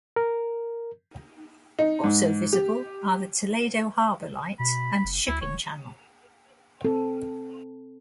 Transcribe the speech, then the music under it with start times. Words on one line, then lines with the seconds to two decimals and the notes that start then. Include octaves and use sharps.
Also visible, are the Toledo Harbor Light and shipping channel.
0.16 A#4
1.79 D#4
2.04 G#2
2.53 G4
4.59 B2 B5
5.04 F#1
5.28 D2 E4
5.42 D#1 C#5
6.85 C4 A4